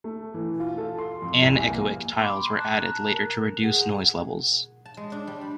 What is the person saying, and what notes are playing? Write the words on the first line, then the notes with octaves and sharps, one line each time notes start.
Anechoic tiles were added later to reduce noise levels.
A3
E3
F4
A4
C6
F2
C2
G#5
A#3
G5 B5 C6 D6
A5 A#5 F#6
A#4
G#4 F#5
A5
G#3
D4
G3
B5